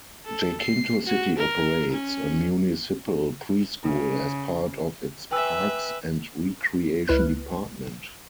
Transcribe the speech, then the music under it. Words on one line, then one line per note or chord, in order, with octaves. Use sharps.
Jacinto City operates a municipal preschool as part of its Parks and Recreation Department.
A4
C7
F#4
A#4
C#4
C#3
B4 E5 G5 G#5 E6
C#2 E4 B4 F6 F#6